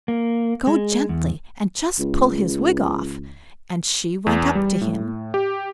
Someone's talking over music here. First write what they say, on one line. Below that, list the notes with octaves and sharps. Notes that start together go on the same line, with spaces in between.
'Go gently, and just pull his wig off'; and she went up to him.
A#3
G#3
E2
C#2
E2
G3
A2
G4